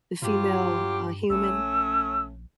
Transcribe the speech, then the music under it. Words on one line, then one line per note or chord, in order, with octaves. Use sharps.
the female, uh, human.
G2 F#3 F4 G4
A#1 A3 C#4 E6